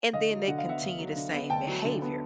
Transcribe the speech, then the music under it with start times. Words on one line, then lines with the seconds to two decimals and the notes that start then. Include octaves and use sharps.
and then they continue the same behavior.
0.13 D2 D#5 F5
0.31 F#3
0.48 D3 F#5
0.59 F5
0.65 B3 E5 F#5
0.82 D2
0.98 F#3
1.16 D3
1.33 B3
1.50 D2 G5 A5
1.67 F#3
1.85 D3
2.02 B3